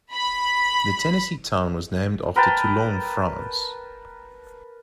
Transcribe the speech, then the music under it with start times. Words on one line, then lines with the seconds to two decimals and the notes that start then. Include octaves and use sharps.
The Tennessee town was named after Toulon, France.
0.13 B5
2.36 A#4 B4 G5 A5